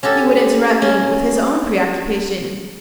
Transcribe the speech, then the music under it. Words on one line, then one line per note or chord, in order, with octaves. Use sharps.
He would interrupt me with his own preoccupation.
C#4 F#4 G4 A4
C#4 D#5